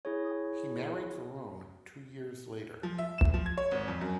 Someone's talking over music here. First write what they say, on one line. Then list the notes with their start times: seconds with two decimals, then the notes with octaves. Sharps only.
He married Verrone two years later.
0.05 E4 G#4 C#5
2.83 F3
2.98 E5
3.18 E7
3.34 F3
3.46 G#6
3.58 C#5
3.71 G#1
3.88 F2
4.01 F#2